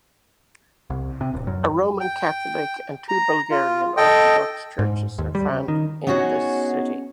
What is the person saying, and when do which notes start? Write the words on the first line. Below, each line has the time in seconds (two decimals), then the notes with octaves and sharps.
A Roman Catholic and two Bulgarian Orthodox churches are found in the city.
0.90 C2
1.21 C3
1.34 D1
1.47 F#2
2.00 G5
3.08 A#5
3.51 F4
3.97 A4 D#5 G5
4.79 G#2
5.18 D#2
5.35 G3
5.50 C#3
5.68 D#3
6.07 B3 C#4 D#4 F#4 G#4 C#5